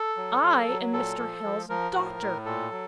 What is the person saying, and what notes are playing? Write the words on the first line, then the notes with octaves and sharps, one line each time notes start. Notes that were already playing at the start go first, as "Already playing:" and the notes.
'I am Mr. Hale's daughter.
Already playing: A4
F#3
F#3
F#3
A#2 A4
F3
F3
F3 A#4
A2
A2
A#2 A4
F#3